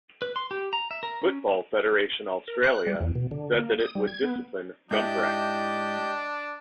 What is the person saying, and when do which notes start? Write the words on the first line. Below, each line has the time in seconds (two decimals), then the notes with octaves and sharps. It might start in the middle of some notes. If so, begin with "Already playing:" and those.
Football Federation Australia said that it would discipline Gumprecht.
0.22 B4
0.36 C6
0.51 G4
0.73 A#5
0.91 E5
1.03 A#4
1.22 C#4
2.48 A#4
2.63 F#6
2.87 G3
3.00 E2
3.15 B2
3.31 D3
3.55 A#3
3.80 D#6
3.95 G3
4.07 G#6
4.22 B3
4.91 G#2 D4 E4 G4 D#5 G6